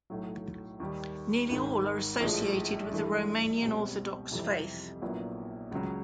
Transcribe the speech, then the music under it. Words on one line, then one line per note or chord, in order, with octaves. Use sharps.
Nearly all are associated with the Romanian Orthodox faith.
B1 A2 F#3
D#2 D#3 G3
G#1 G#2 D#3
A#1 A2 F3 G#3
G2 E3 A3
C#2 B2 G3 C4
F2 C3 E3 G3 C4
A#1 A#2 F#3 B3 E4
C#2 C#3 F#3